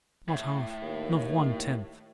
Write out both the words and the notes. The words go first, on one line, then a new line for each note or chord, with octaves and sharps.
Not half--not one-tenth.
A2
D#2